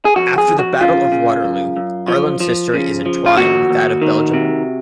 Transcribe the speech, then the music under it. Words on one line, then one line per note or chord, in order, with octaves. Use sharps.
After the Battle of Waterloo, Arlon's history is entwined with that of Belgium.
G#4
F2 F#4
G#4
F2
F#4
C#3 F4
C#3
F#2
F#2
F3
F3
C#3
F3
F4
D#2 F#4
D#2
D#3
C3